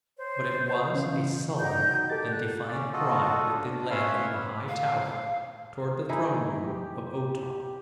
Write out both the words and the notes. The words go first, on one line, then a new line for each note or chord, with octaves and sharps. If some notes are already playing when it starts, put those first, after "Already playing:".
But it was a sullen and defiant bride that they led from the high tower toward the throne room of O-Tar.
C5 C#5
C#3 E3 C#4 F5
D#4 F#4 D5 F#5 G5 G6
G4 A4 A#4 A6
F#6
C#4 D5
F4 F#4 A4 D#5
D4
C#4 B4 C#5 E5 F5 C6
F5
D#4 E4 G#4
G4